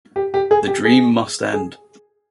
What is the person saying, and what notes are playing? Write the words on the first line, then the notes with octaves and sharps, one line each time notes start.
The dream must end.
G4
G4
G#4
G4
G#4
G#4